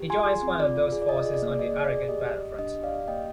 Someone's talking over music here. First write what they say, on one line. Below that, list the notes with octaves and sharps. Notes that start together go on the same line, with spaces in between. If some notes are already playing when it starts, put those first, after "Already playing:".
He joins one of those forces on the Aragon battlefront.
Already playing: G4
F4 G#5 C6
G#4
C4
F4 D5
F4
G#4
D5
F4 D#5
G#4
D5
A#3
D5
G#4 D#5
G#4
D5
G#4
D5
G4 D#5
G4
G4
D4 D#5
G4
D5 F5
G4
A#3 D#5 G5